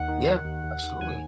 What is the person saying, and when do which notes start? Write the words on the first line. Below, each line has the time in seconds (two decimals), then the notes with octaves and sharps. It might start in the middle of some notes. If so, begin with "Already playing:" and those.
Yeah, absolutely.
Already playing: D#2 F#5
0.08 D#3
0.27 D#3
0.45 D#2
0.64 D#2
0.83 D#2
1.01 D#2 G#5